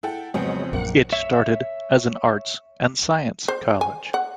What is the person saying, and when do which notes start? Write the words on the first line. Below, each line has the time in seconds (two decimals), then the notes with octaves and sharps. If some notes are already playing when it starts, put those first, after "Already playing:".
It started as an Arts and Science college.
0.03 E4 A4 F#5 G5
0.34 F2 C#3 F3 F#3 G#3 B3 C4 C#7
0.73 A#1 F#2 A#3 F#5
1.12 C#5 E5
3.48 C5
3.81 G#5
4.14 F#5